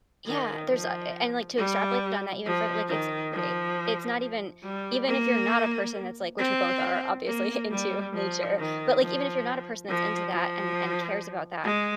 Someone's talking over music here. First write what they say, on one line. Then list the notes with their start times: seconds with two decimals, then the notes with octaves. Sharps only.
Yeah, there's, uh eh, and, like, to extrapolate on that even further, like, it's eh, it's not even even if you're not a person that's, like which we both are, obviously, into nature but, like, even if you're not a person that's into that and and cares about that,
0.26 D#3
0.70 F3
1.57 G3
2.46 F3
2.89 D#3
3.33 F3
4.64 G3
5.08 A#3
6.39 C4
7.27 A#3
7.71 G3
8.14 F3
8.58 D#3
9.01 F3
9.89 F3
10.33 F3
11.64 G#3